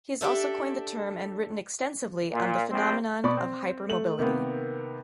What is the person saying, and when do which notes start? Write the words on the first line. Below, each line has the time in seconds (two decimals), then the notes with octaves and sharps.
He has also coined the term and written extensively on the phenomenon of hypermobility.
0.21 D4 G4 A4 E5
2.30 A#2
2.68 A#1 C4
3.24 B2 D5 B5 C#6
3.37 C4
3.89 A3 F#7
4.19 C3 D#3 A#3 B3